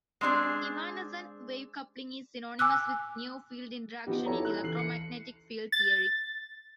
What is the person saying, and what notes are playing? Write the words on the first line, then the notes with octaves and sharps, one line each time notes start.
Evanescent-wave coupling is synonymous with near field interaction in electromagnetic field theory.
G#3 C4 D4 G#4
G#5 D6 E6 F#6
F3 B3 D#4 F#4 G4
E4 G4 A4 C#5 A#5
F#6
E3 A4 C7 F#7
C7 C#7
A6